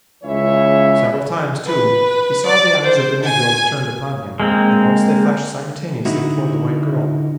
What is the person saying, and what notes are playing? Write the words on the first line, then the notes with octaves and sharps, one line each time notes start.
Several times, too, he saw the eyes of the Negroes turned upon him and once they flashed simultaneously toward the white girl.
C#2 C#3 E3 C#5 E5
B4
D5
C5
G#5
G#3 A#3 C4
D3 D#4 E4 F#4